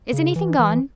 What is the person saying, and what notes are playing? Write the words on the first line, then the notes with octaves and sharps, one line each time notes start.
"Is anything gone?"
C#3
E3
E3